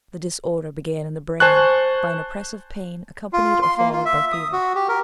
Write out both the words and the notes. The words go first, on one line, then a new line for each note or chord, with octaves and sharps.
The disorder began in the brain, by an oppressive pain accompanied or followed by fever.
C5 G#5 A5 C#6 F#6
F4
C6
A#3
F4
E5
D#6
F#4
G4
A#4